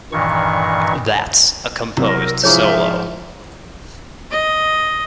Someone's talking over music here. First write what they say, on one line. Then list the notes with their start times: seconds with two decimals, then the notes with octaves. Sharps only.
That's a composed solo.
0.12 G2 A#2 D#3 E3 C#6
1.97 C3 F#3 E4 A#4
2.43 G#2 F3 E4 G#4 C#5 E5
4.31 D#5